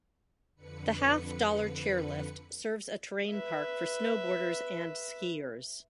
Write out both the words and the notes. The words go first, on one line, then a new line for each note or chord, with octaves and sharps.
The Half Dollar chairlift serves a terrain park for snowboarders and skiers.
F2 D3 B4 C#7
B4 E5